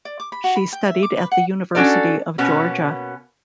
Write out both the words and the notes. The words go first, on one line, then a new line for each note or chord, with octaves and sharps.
She studied at the University of Georgia.
D5
D6
B5
F#4
B5
G5
E5
D6
B4
F#5
C#4 D4 F#4 A4 D5
B2 A#3 B3 C#4